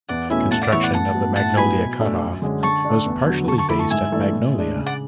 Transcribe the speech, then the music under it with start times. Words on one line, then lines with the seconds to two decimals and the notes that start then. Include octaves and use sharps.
Construction of the Magnolia Cutoff was partially based at Magnolia.
0.09 E2 D5 F#5
0.30 B2 A3 C#4 E4 E5 G#5
0.51 A2 F#5 A5
0.62 D5 F#5
0.72 E3 B3 C#5 E5
0.83 D5 F#5
0.93 A2 F#5 A5
1.14 F#3 B3
1.36 A2 F#5 A5
1.57 F#3 B3 E4 G#5 B5
1.79 B2
1.99 A3 D4
2.21 F#2
2.42 D3 G#3 C#4
2.63 D3 A5 C#6
2.85 A3 D4
3.06 E2
3.27 D3 F#3
3.48 D3 A5 C#6
3.58 A5 C#6
3.69 A3 E4 B5 D6
3.79 A5 C#6
3.90 G#2 E5 G#5
4.12 E3 A3 D4
4.33 A2
4.54 G#3 D4
4.75 C#3
4.86 D5 F#5